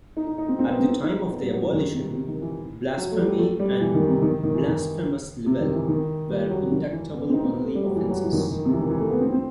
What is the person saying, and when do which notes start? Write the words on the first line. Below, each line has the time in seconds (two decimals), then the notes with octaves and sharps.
At the time of their abolition, blasphemy and blasphemous libel were indictable-only offences.
0.17 D#4
0.27 D#4
0.38 D#4
0.48 C4
0.59 C4
0.69 B3
0.79 C4
0.90 C4
1.03 D#4
1.31 B3
1.42 G3
1.52 F#3
1.62 E3
1.73 D#3
1.93 C3
2.15 C3
2.28 D#3
2.42 E3
2.97 F#3
3.11 A3
3.18 G3
3.39 A3
3.60 G3
3.81 E3
3.94 D#3
4.08 C3
4.22 D#3
4.43 D#3
4.55 E3
4.68 D#3
5.46 C3
5.61 D#3
5.74 E3
5.88 D#3
6.30 G3
6.50 F#3
6.67 C3
6.71 D#3
6.92 E3
7.13 B3
7.29 C4
7.33 D#4
7.44 C4
7.54 B3
7.64 A3
7.75 G3
7.86 F#3
7.96 E3
8.09 F#3
8.24 E3
8.33 D#3
8.37 E3
8.51 D#3
8.65 C3
8.73 E3
8.79 D#3
8.90 E3
9.00 A3
9.10 B3
9.20 C4
9.33 C4